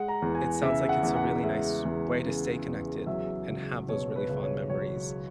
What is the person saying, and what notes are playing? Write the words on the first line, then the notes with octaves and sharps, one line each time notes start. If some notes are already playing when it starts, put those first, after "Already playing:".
it sounds like it's a really nice way to stay connected and have those really fond memories
Already playing: G#3 F#5
A#5
E2
G#5
C#3 E5
F#5
E2
F#5
G#3 E5
E2
C#3
E2
F#3 E5
C#2
B2 C#5
B4
C#2
C#5
F#3 C#5